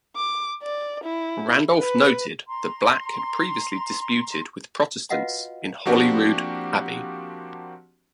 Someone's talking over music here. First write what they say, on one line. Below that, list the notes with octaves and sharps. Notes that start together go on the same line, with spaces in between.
Randolph noted that Black had previously disputed with Protestants in Holyrood Abbey.
D6
D5
E4
B4
A#5 C6
F4 F#4 B4 D#5 F5 F#5
F3 A#3 C4 D4 F#4 G4